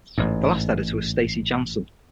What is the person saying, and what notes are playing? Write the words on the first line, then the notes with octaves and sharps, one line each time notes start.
The last editor was Stacey Janssen.
A1 G#2